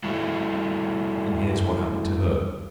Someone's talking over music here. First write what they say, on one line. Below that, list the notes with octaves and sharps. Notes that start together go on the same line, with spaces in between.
And here's what happened to her.
G3 A3 E4 F#4